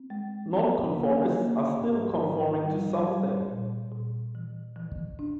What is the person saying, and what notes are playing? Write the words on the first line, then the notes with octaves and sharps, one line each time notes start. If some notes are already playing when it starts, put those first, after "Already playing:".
Non-conformists are still conforming to something.
Already playing: C4
G#3
C4
A#3
A#3
G#2
G#2
G3
G3
A#2
A#2
E3
E3
D4